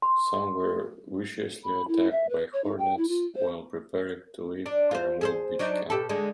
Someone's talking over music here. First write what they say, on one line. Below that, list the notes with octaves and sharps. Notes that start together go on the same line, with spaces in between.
Some were viciously attacked by hornets while preparing to leave a remote beach camp.
C6
B5
E4
E5
B4
C#5
D#4
G5
E4
F4
C5
D4
F4 C5
G#4 A4 C5
F#3 D4 D#4
B2 G4 A4
D3 G#3